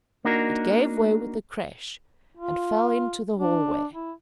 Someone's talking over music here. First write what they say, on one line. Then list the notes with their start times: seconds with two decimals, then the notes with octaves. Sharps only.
It gave way with a crash, and fell into the hall way.
0.25 A#3 D4 D#4 F#4 A#4
2.37 F4
3.39 D4
3.93 E4